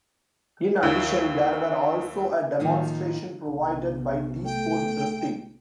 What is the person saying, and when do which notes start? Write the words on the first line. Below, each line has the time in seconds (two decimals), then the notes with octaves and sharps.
In addition, there were also a demonstration provided by D-Sport Drifting.
0.83 D#2 E4
2.60 A2 D#3 F3 A#3 D#4
3.48 B1 C3
4.45 A3 G5